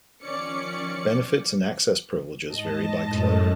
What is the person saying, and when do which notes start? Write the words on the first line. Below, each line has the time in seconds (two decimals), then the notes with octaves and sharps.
Benefits and access privileges vary by club.
0.23 D#3 F3 C#4 D5 C#7
2.51 G#2 D#5 A5
3.05 F#2 A2